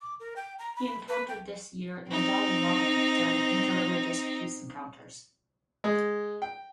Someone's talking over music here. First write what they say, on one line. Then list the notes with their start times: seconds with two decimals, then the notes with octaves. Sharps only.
He encountered this year the Dalai Lama during inter-religious peace encounters.
0.02 D6
0.20 A#4
0.36 G5
0.59 A#5
0.76 B5
1.08 B4
1.28 G5
2.08 C4 D#4
5.84 G#3
6.42 G5